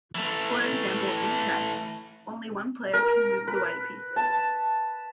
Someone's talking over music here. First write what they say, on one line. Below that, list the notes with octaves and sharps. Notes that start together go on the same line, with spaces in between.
For example, in chess, only one player can move the white pieces.
E3 A3
A#4
B4
A5